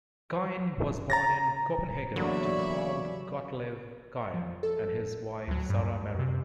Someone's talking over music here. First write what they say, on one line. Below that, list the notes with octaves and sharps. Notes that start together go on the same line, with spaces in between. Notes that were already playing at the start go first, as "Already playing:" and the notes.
Kyhn was born in Copenhagen to Carl Gottlieb Kyhn and his wife Sara Marie.
A#5 A6 A#6
E2 D3 F#3 A#3 C#5 D5 E5 B5
F3
A4
D2 F#3
G2
F#2 C3